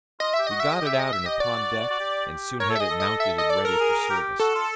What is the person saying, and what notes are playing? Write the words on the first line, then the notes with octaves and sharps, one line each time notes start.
We got it out and upon deck, and soon had it mounted and ready for service.
F4 D#5
E5
G4
F#4 D#5
E5
G#4 D#5
G4
E5
G#4 D#5
E5
G4 D#5
F#4 D5
F#4
G4
A#4 C#5
A4
E5
G#4 D#5
A4
D#5
E5
D#5
D5
A#4
G#4
G4
F#4 A4
F4